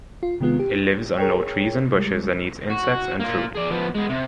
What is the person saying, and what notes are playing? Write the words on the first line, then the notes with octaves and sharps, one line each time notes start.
It lives on low trees and bushes and eats insects and fruit.
F4
C3 D#3 G#3 B3 F4
G4
G#4 A#4 C#5 G5
G3 G#3
F#4
A#3 F4
G#4 D5
F3 B3
G#3 B3
C3